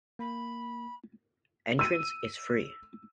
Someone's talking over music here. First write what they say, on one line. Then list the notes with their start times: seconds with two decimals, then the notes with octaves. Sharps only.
Entrance is free.
0.19 A#3 B5
1.79 E6 D#7